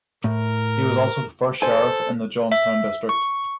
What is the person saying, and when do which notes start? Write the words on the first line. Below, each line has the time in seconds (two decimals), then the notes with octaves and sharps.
He was also the first sheriff in the Johnstown District.
0.24 A2 A#4
1.62 A4 C5 G#5
2.52 E5
3.09 C#6